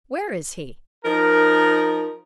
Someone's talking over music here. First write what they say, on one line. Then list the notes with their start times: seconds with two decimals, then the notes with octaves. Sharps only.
"Where is he?"
1.05 F3 D#4 A#4